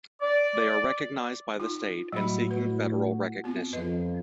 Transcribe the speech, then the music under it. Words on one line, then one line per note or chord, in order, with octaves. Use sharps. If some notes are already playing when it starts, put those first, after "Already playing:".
They are recognized by the state and seeking federal recognition.
D5
D#4 F4
A2 F#3 G3 F#4 B5
B4
B3 C4 F4
F2 B4 D#5